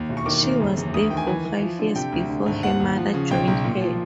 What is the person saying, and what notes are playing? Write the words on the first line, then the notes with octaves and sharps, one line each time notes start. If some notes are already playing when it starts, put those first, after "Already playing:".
She was there for five years before her mother joined her.
Already playing: D#2
E1
C#6
D#3 D6
D#2
F#1
E2
D2 D#6
D#3 G5
G#5
E3
E3
F3
D3
C3 G5
D2
D3
G#1
D#2 F#5
D#2
F3
C#3
B1 G5
B1
A#2
F3